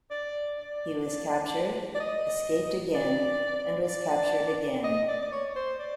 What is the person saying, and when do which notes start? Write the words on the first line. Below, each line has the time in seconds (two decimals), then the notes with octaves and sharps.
He was captured, escaped again and was captured again.
0.10 D5
0.58 D5
1.95 D5
2.00 D#5
2.95 D5
3.89 D5
4.84 D#5
5.08 D5
5.22 D5
5.32 C#5
5.56 C5
5.79 D5